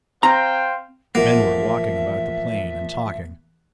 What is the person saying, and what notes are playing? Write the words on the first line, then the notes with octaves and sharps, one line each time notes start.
Men were walking about the plain and talking.
C4 C5 F5 G5 A#5
A1 F3 A#3 E5 F#5